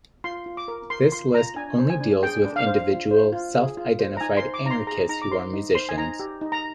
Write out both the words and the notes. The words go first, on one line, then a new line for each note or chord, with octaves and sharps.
This list only deals with individual, self-identified anarchists who are musicians.
F4 C6
F4
D6
A#4
A#4 C6
F4 C6
F4 A#5
D4 G#5
C5
G#5
D4
G#4 G5
D4
F5
C5
F4
C5
F4
G#4
F4
C5
A#5
D#4 G#5
C6
C5
D6
D#4 A#5
C6
G#4 A#5
D#4 A#5
D6
C5 C6
D#4
C5 C6
G#5
D#4 A#5
G4
D#4
A#5